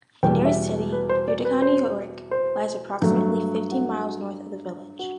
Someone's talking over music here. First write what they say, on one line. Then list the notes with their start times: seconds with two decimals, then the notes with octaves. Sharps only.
The nearest city, Utica, New York, lies approximately fifteen miles north of the village.
0.23 E2 B2 G3 G5
0.45 E5
0.92 B4
1.09 C5
1.28 D5
1.45 B4
1.62 C5
2.31 C5
3.02 G2 F#3 A3
3.72 F#4
4.99 F#4